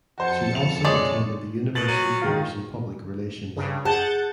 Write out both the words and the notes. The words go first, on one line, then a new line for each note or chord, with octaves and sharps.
She also attended the university course in public relations.
F2 F#4 C5 A5 C#7
F7
G#3 C#5 D5
B2 A6 F#7
F#3 D#7
D#3 G#3 F4
G2 C#3
G#4 F#5 A5 G6 A6